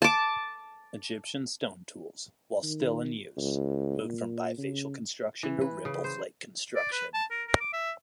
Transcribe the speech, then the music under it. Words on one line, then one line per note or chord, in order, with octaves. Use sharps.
Egyptian stone tools, while still in use, moved from bifacial construction to ripple-flaked construction.
A5 D6
D#3
C#2
A#2
C#3
E3
B4
C#3
C5
D5
B4
A5
A#4
A#4
D6
E5